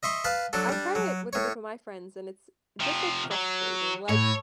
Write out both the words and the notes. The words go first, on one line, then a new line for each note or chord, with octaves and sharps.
I tried it with a group of my friends, and it's just, like, frustrating. Like,
D#5 E5 C6 C#6
B4 F5 A5
F#3 D4 A4
G3 D4
F#3
A2 C#5
C3 F3
F#3
A2 C#5